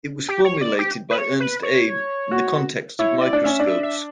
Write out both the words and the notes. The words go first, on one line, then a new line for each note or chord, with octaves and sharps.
It was formulated by Ernst Abbe in the context of microscopes.
G4
C#5
D5
G4
B4
C#5
B4
C#5
F#4
E4 C#5
D5
D4
C#4 E5
D4
E5
E5